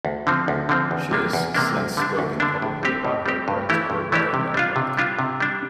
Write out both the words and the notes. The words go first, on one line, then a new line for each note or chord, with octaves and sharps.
She has since spoken publicly about her regrets over writing that book.
D2
D3 F3 C4
D2
D3 F3 C4
E2
C3 G3 A#3 D4
E2
C3 G3 A#3 D4
D2
D3 G3 D4
D2
D3 G3 D4
A2
G3 C4 G4
A2
G3 C4 G4
G2
E3 A3 E4 G4
G2
E3 A3 E4 G4
C3
G3 D4 F4
C3
G3 D4 F4
C3
G3 D4